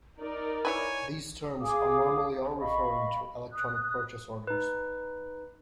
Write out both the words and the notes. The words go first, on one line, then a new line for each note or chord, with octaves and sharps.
These terms are normally all referring to Electronic Purchase Orders.
D#4 A#4 D5
E4 B4 C#5 G#5
G#4 F5 D6 D#6
D#5 F5 B5 C#6
D#6 F#6
D#4 B4